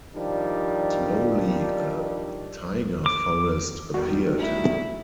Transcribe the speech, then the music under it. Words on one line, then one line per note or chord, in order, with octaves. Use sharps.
Slowly a taiga forest appeared.
D#3 F3 G3 D4 D#4
D6
E2 D#3 G3 F#4
A3 E4